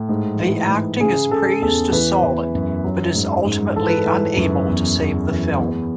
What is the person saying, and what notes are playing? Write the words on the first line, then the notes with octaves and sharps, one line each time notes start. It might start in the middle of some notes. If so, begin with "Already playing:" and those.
The acting is praised as solid, but is ultimately unable to save the film.
Already playing: A2
G#2
E3
G#2
C#3 G#4
C#3 A4
E2 A4
E3 B4
E3
F#2
F#3
G#2
G#2
E3 A4
B4
A4
E3
F#2
E2
E2
E3
E2